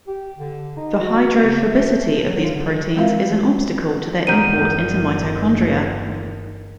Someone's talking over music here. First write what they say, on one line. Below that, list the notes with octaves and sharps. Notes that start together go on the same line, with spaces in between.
The hydrophobicity of these proteins is an obstacle to their import into mitochondria.
G4
D3
D#4
F#4
C#3
A3
A3
F#3
F4
D3
G#3 C4 F4 A#4 E5 F5
G1 E2 D#3 A#4 G6 D#7